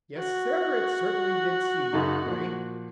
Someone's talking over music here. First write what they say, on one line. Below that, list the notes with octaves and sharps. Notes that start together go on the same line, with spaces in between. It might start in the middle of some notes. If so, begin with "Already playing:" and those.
Yes, Sir, it certainly did seem that way.
F#4
F#2 C#3 D#4
A#2 F3